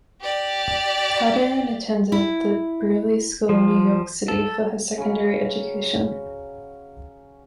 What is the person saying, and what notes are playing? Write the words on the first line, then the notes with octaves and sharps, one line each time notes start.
Calderone attended the Brearley School in New York City for her secondary education.
G4 D5
E4
F3
A4
C#3 F#3 C#4 B5